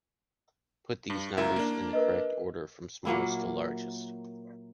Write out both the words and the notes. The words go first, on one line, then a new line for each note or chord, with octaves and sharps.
Put these number in the correct order from smallest to largest.
G2
C#2 E4 A#4 E5 A#5
A#3 D4
A#4 B4 D#5
A#2 F#3 A#3 E4